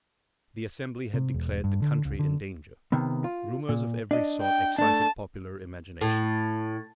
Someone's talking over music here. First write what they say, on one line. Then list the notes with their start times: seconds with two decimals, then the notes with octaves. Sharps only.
The Assembly had declared the country in danger. Rumors of every sort excited popular imagination.
1.14 C3
1.34 E1
1.64 G2
1.82 D3
2.05 C#2
2.19 D3
2.92 C3 D#3 B3
3.24 F4
3.69 A#2
4.11 D4 D#5
4.42 G5
4.78 A3 D4 A5
6.01 A2